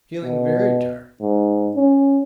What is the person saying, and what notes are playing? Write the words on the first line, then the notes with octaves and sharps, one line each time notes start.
Feeling very tired.
B2
G#2
C#4